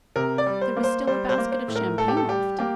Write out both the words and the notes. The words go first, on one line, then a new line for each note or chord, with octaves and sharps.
There was still a basket of champagne left.
C3 A#4
D5
G3
C5
A#3
C5
G3 C5
C5
A#3
C5
A2
A#4
A2 A4
G4
A4
G3 G4
A#3 G4